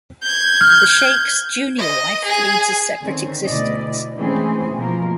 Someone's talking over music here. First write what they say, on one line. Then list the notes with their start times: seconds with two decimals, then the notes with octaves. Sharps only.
The Sheikh's junior wife leads a separate existence.
0.23 G6 G#6
0.61 F6
1.79 D#5
2.25 G#4 G#5
3.02 D3 D#3 C4 C#4
3.46 D2 B2 E4 D5 D#5
4.17 E3 G#3 A3 C4 C#4 G#4
4.76 B2 F3 A#3 A#4